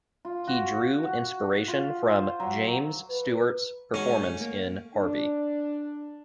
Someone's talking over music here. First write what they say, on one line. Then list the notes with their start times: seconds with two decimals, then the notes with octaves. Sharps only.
He drew inspiration from James Stewart's performance in "Harvey".
0.25 F4
0.47 F#4
1.03 F#4
1.68 F4
2.09 C5
2.40 F#3
3.09 B4
3.94 G#3 C#4 D#4 F#4
4.18 A3
4.41 A#3
4.95 D4